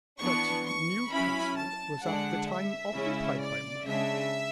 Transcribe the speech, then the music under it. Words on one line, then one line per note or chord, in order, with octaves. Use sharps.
"But Newcastle was at the time occupied by Monk."
E3 B3 D4 C#6
C#6
F#3 C#4 E4 B5
A5
D3 G#3 D4 F#5
E5
C#3 G#3 C#4 E4
D5
C#3 G#3 D4 E5